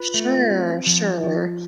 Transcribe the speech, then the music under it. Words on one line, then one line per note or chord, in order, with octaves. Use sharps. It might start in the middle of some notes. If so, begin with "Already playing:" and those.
Sure. Sure.
Already playing: F4 B4
A3
C4
F3
F3